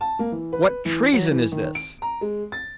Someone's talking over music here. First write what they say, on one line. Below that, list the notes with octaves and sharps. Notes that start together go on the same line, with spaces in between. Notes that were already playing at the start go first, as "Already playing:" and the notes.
"What treason is this?"
A5
A#3
E3
B4
E3
F#3
E3
D#3
D7
A#5
G#3
A6